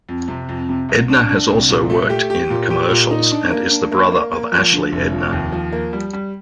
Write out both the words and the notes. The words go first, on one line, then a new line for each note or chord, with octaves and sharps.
Edner has also worked in commercials and is the brother of Ashley Edner.
F2
C3
F2
C3
C2
D4
D4
C2
A#2
A3
G4
G4
A#2
G4
A#2
D#4
D4
A#3
D4
A#3
A#3
A#3
F3
D3
F1
F3
D#2
F3
A#3
G3
G3